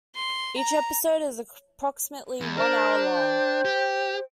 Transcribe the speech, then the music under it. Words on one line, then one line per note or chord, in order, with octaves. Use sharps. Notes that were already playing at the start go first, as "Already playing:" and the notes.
Each episode is approximately one hour long.
C6
A#5
E2
D4 A#4 C5
G5
G4